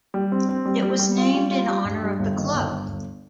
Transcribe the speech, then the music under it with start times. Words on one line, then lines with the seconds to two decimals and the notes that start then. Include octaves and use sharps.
It was named in honor of the club.
0.14 G3
0.32 C4
0.49 C4
0.66 G3
0.83 G3
0.99 G3
1.17 F4
1.35 G3
1.51 F4
1.68 G3
1.85 G2
2.03 G3
2.19 G1
2.37 D#3
2.54 G1
2.71 G1
2.88 G1